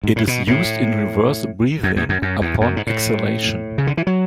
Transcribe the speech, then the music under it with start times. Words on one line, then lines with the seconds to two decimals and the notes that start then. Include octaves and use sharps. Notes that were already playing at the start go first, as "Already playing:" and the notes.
It is used in reverse breathing upon exhalation.
0.04 G#2
0.16 A2
0.27 B2
0.47 A2
1.83 F#2
1.96 E2
2.09 F#2
2.22 F#2
2.41 E2
2.61 F#2
2.76 G#2
2.87 A2
3.78 C#3
3.87 D3
3.97 E3
4.07 F#3